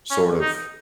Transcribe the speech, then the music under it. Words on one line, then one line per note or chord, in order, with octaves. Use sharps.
sort of
C#4
D#4